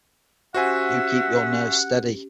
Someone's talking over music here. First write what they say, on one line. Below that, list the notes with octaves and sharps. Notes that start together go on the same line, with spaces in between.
You keep your nerves steady.
C#4 F#4 G4 C5 E5 F#5 G#5